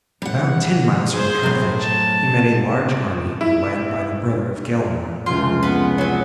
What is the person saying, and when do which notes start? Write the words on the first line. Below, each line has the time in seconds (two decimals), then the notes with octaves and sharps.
About ten miles from Carthage he met a large army led by the brother of Gelimer.
0.22 G3 F#5
1.12 G#4 C5
1.43 A2 F#3
1.80 A5
3.41 E4
5.26 F1 C#2 F4
5.63 B3
5.98 F#3 B3